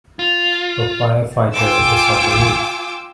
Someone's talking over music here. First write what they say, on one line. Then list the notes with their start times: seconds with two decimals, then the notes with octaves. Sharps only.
A firefighter is on the roof.
0.19 F4
1.53 F4 G5 G#5 D6 E6